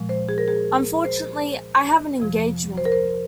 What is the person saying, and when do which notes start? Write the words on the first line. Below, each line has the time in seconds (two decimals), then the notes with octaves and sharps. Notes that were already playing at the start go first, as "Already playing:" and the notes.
Unfortunately I have an engagement.
Already playing: A#2 F3 G#3
0.09 C5
0.29 G#4
0.38 A#4
0.48 G#4
1.05 C5
2.20 F2 C3 F3
2.77 C5
2.85 A#4
2.92 C5